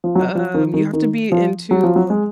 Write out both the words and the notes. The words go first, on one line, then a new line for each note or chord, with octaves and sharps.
um, you have to be into
F3
F#3
F3
D#3
D#3
D#3
F3
F#3
F3
F#3
G#3